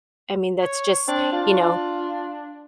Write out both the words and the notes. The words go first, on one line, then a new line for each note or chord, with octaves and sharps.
I mean that's just, you know,
C#5
C4 D4
D4 F4